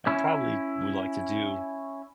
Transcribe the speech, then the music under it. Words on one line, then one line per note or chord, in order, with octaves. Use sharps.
I probably would like to do
C#4 E4